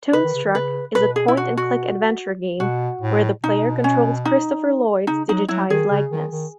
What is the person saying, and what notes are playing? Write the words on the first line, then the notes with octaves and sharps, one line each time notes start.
"Toonstruck" is a point-and-click adventure game where the player controls Christopher Lloyd's digitized likeness.
C#3 B4
D#3
C#3
D#3
C#3 B4
B2 B4
G#4
E4
F#4
F#4
B2 F#4
A2
B2 D#4
C#4
D#4
C#3 D#4
F#3 D#4
F#3 E4
D#3 G#4
C#3
D#3
D#3